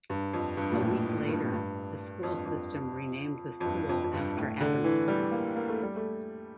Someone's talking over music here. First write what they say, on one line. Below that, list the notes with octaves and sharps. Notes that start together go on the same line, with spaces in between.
A week later, the school system renamed the school after Adamson.
G2
F2
G2
A#2
A2
A2
G2
A2
G2
F2
G2
F2
F2
G2
F2
F2
G2
A2
D3
E3
G3
A#3
A#3
A3
G3
A3